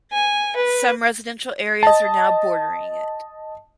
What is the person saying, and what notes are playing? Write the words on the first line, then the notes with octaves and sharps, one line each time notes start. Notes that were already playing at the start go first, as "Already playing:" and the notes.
Some residential areas are now bordering it.
G#5
B4
D#5 A5